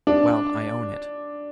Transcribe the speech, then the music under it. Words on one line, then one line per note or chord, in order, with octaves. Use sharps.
"Well, I own it."
D4